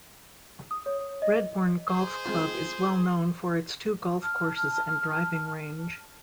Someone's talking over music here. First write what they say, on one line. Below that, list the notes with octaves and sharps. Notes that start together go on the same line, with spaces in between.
Redbourn Golf Club is well known for its two golf courses and driving range.
D#6
C#5
D#5
G#4 C5
G#3 C4 F4
A5 F6